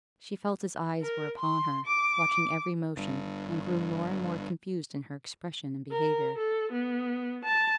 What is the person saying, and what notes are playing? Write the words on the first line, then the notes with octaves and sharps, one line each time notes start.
She felt his eyes were upon her, watching every motion, and grew more and more confused in her expression and behaviour.
A#4
C6
D6
G1 G2
A#4
A4
B3
A5